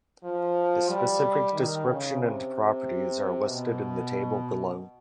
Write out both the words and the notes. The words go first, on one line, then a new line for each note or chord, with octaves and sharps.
The specific description and properties are listed in the table below.
F3
G3
D#3
C#3
C3
B2